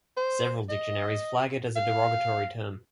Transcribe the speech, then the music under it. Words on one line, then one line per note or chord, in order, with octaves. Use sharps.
Several dictionaries flag it as a derogatory term.
C5
D#5
F5